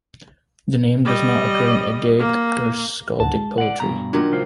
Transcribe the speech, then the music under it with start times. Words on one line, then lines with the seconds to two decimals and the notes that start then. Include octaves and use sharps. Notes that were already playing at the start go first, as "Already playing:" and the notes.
The name does not occur in Eddaic or skaldic poetry.
1.05 G3 D#5
2.19 A#3
3.20 D2 A2 F#5 A5
3.35 G#3
3.58 D5 F#5
3.80 G2 B2 A#5
4.13 A#2 D#3 F#3 D4
4.32 C#2 F4 C5